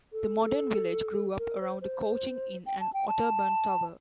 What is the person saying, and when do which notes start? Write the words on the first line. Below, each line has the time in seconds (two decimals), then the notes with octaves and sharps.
The modern village grew up around a coaching inn and Otterburn Tower.
0.13 A4
1.39 A#4
1.61 C5
1.82 C5
2.66 G5
2.80 A5
2.94 G5
3.08 A5